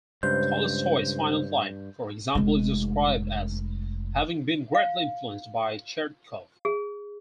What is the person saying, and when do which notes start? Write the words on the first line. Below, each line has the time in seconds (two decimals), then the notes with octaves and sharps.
Tolstoy's final flight, for example, is described as having been greatly influenced by Chertkov.
0.23 C#2 G2 C5 G6
2.35 F1 G#3
4.75 F5
6.65 G#4